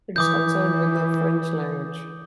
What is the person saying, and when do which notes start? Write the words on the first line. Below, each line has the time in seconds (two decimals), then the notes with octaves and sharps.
It is concerned with the French language.
0.16 E3 D6 D#6 G6